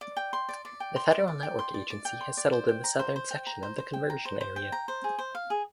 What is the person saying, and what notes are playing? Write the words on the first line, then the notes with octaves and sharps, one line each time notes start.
The Federal Network Agency has settled in the southern section of the conversion area.
D5
G5
C6
D5
D5
G5
C6
D5
D5
G5
C6
D5
D5
G5
C6
D5
C5
G5
A#5
C5
C5
G5
A#5
C5
C5
G5
A#5
C5
C5
G5
A#5
C5
G#4
C5
F5
G#4